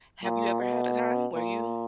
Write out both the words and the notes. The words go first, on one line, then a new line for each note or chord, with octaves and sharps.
Have you ever had a time where you
A#2
B2
A#2